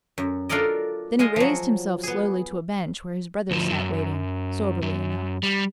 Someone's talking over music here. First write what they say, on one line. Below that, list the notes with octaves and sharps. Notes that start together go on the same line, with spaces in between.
Then he raised himself slowly to a bench where his brothers sat waiting, soberly enough.
F#2
D4 F4 A4 A#4 D5 D#5
G#3 F4 D#5 G#5
F3 F#3
B3 G#4
D2 F3
F#2
F#2
G3